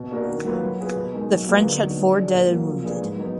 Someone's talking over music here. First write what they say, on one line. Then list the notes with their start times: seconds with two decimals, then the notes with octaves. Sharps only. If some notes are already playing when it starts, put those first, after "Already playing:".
The French had four dead and wounded.
Already playing: B2
0.10 A#3 D4 F#4 A#4
0.28 D#3
0.45 F#3 A#3 F4 B4
0.62 F#3
0.79 B3 F4 G#4 B4
0.95 B2
1.12 G#3 D#4 A#4
1.29 F#3
1.46 A#3 F4 G#4 B4
1.63 D3
1.80 F#3 B3 D#4
1.98 F#3
2.14 D4 G#4
2.31 A#2
2.48 F#3 A#3
2.65 F3
2.82 A#3 D4 G#4 B4
2.99 G#2
3.16 F#3 B3 D#4